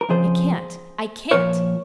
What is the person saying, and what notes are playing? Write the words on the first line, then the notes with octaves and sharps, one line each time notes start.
I can't--I can't!
A#4
F2 C#3 F3 G#4 C5
A#2 F3 A#4 C#5